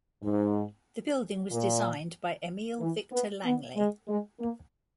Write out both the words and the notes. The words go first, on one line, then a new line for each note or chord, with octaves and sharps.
The building was designed by Emil Victor Langlet.
G#2
A#2
E3
B3
B3
G#3
G#3
A#3